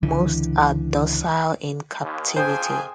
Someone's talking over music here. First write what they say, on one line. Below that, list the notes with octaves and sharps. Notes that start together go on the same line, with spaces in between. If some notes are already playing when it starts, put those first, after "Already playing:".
Most are docile in captivity.
C#2 D3 E3
D#2
F2 F3 G#4 C5 G5 G#5